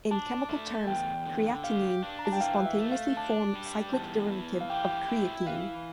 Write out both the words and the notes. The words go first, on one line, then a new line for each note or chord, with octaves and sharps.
In chemical terms, creatinine is a spontaneously formed cyclic derivative of creatine.
D4 A5
A3
E2 G5
D3
G4 F5
D4
A#5
A5
G5
E3 F5
E5
A3
F5
D4 A5
G3
E2 A5
E3
F5
G4 G5
E4
E3 F5